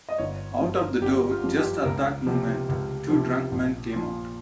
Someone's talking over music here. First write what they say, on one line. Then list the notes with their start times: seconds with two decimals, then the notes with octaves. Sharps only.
Out of the door, just at that moment, two drunk men came out.
0.09 D#5
0.18 G1 C#5
0.61 G2 F3
0.74 A#4
1.02 G1 G4
1.30 F4
1.44 G2 F3
1.57 G4
1.85 C#2 A#4
2.26 C3 F3
2.69 C#2
3.09 C3 F3
3.52 A#1
3.92 A#2 F3